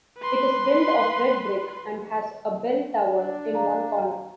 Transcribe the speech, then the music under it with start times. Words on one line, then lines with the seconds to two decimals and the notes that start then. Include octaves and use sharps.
It is built of red brick and has a bell tower in one corner.
0.18 B4 C6
3.08 D4
3.54 F5 A5 A#5